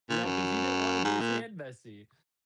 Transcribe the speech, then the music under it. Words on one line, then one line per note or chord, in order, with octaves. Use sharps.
Yeah, 'cause he didn't wanna get his hand messy.
A#2
F#2
G#2
A#2